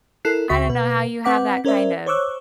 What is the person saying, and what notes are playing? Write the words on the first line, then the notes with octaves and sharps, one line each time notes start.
I don't know how you have that kind of
E4 A4 A#4 F#6 C7
C#2 C#3 F#4 E5 C#6 B6
B2 B4
C4 B4 F#5 D6 B6
C#4 A#4 C5 D5 E5
C5 C#5 C#6 D6 E6 F#6